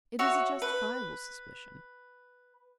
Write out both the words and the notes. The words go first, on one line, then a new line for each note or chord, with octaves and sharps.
It is a justifiable suspicion.
F#4 C#5 E5
B4